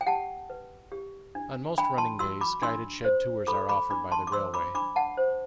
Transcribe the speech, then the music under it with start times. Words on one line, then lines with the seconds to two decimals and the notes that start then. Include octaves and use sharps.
On most running days, guided shed tours are offered by the railway.
0.01 G5
0.07 G4 F#5 A5
0.50 B4
0.92 G4
1.35 D4
1.78 D4 G5 B5
1.98 A5 C6
2.19 F#4 C6 E6
2.41 B5 D6
2.62 D4 C6 E6
3.05 C5
3.47 A4 B5 D6
3.69 B5 D6
3.90 D4 B5 D6
4.12 A5 C6
4.27 D6
4.32 C5 C6 E6
4.54 B5 D6
4.75 D4 B5 D6
4.96 F#5 A5
5.17 C5